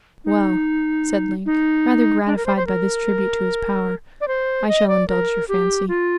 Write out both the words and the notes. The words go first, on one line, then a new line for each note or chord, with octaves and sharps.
"Well," said Link, rather gratified by this tribute to his power, "I shall indulge your fancy."
D#4
D#4
D4
A#4
C5
C5
A#4
D5
C5
D#5
D5
A#4
G4
F4